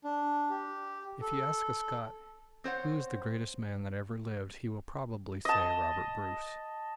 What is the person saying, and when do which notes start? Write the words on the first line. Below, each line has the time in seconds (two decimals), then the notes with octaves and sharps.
If you ask a Scot who is the greatest man that ever lived he will probably say Robert Bruce.
0.04 D4
0.50 G4
1.21 A4
2.64 C4 C5 C#5 F#5
5.45 D#5 A5